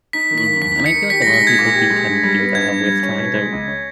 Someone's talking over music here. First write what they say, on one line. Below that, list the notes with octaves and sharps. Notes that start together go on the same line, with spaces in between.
Mhm, and I feel like a lot of people do tend to do that with trying to
D#4 B6
D#3
B6
A#3
D#2 B6
D#4
C#7
D#3
G4 B6
A#6
G#3
B6
D#4 G#6
A#2
G4
G#3
G2
G3
B3
G2 G#6
G2
G3
C#4
B2
G#3
C#2
C#4